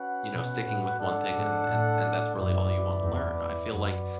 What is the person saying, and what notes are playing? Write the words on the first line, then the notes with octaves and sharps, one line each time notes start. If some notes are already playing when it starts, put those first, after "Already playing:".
you know, sticking with one thing and and and that's really all you wanna learn. I feel like
Already playing: C#4 F#4 B4 F#5
B2
A2
G#2 D4 A4 D5 F#5
G#2
A2
F#2 E4 B4 D5
E2
F#2 F#4 B4 D5